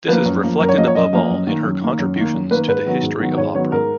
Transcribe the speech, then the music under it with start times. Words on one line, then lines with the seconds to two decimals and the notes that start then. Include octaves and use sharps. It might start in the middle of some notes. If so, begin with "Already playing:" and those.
This is reflected above all in her contributions to the history of opera.
0.08 F3 A#3 B4
0.25 F#2
0.43 F3 A#3
0.60 F#2 A#4
0.69 C#5
0.77 F3 A#3 D#5
0.87 C#5
0.95 F#2 D#5
1.13 F3 A#3
1.30 F#2
1.47 D#3 A#3
1.64 F#2
1.82 D#3 A#3
1.99 F#2
2.16 D#3 A#3
2.34 F#2
2.51 D#3 A#3 B4
2.68 G#2 B4
2.86 D#3 F#3 B3
3.03 G#2
3.20 D#3 F#3 B3
3.37 G#2 C#5
3.55 D#3 F#3 B3 C#5
3.72 G#2 A#4